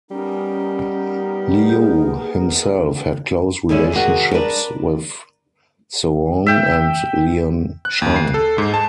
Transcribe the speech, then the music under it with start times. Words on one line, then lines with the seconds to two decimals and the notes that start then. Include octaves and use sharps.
Liu himself had close relationships with Soong and Lien Chan.
0.11 G3 B3 C#4 D#4 A#4
1.66 A#3 G4 G#4 G6
3.69 E2 D3 G#3 C#4 E4
3.93 C3 D#3 F#4 G#4
4.34 D4 A#4 B4 D5
6.46 E5 G5
7.85 F#6
8.02 D#2
8.16 C7
8.34 A4
8.58 G#2
8.74 A5